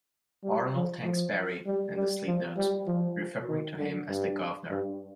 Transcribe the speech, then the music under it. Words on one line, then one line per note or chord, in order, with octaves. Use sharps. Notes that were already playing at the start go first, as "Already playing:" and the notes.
Arnold thanks Barry in the sleeve notes, referring to him as "the Guvnor".
G3
F3
F3
G3
G3
F3
G3
F3
D#3
D3
G2
G2